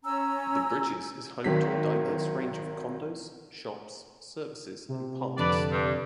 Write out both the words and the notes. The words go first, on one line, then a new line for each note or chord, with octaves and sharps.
The Bridges is home to a diverse range of condos, shops, services, and parks.
C#4 G#5 A#5 E6
G#1 D#3 F#3 B6
C3
F2 D3 D4 B4 D5
G2